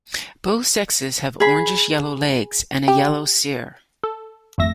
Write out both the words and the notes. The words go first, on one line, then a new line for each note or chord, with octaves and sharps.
Both sexes have orangish-yellow legs and a yellow cere.
G#4 B5
G4
A4
G#1 F2 A3 E5 A#6